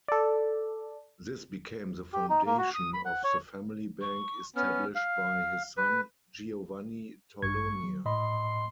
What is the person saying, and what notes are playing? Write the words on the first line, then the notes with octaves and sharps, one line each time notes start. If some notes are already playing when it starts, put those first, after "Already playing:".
This became the foundation of the family bank established by his son, Giovanni Torlonia.
A4 D5
G4
D#4
A#3
F#4
D#6
B5
F#5
C#5
C#6
B3 C#4 F6
F5
B4
A1 G2 C#6 G#6
F#3
A2 D#5 B5 C6